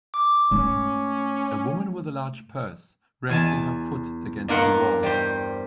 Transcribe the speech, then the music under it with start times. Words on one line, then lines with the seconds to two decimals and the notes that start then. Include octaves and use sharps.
A woman with a large purse resting her foot against a wall.
0.14 D6
0.51 G#2 A3 C#4
3.29 E2 G#5 A5
4.48 G2 A#3 A#4 F#5 C6
5.03 G3 G4 C5